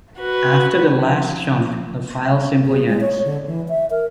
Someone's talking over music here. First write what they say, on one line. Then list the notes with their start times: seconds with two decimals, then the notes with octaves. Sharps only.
After the last chunk the file simply ends.
0.19 F#4 B4
0.96 F3
2.66 G#4
2.87 G#3
3.01 C#5
3.25 D3
3.46 E3
3.69 E5
3.91 A#4